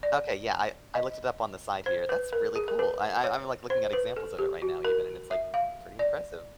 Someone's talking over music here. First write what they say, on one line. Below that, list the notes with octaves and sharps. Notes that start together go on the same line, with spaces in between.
Okay, yeah, I I looked it up on the side here. That's really cool. I I I'm, like, looking at examples of it right now even, and it's, like, pretty impressive.
D5
D#5
C5
B4
A#4
G#4
A#4
B4
C#5
C5
B4
A4
G4
F#4
A#4
E5
F5
D5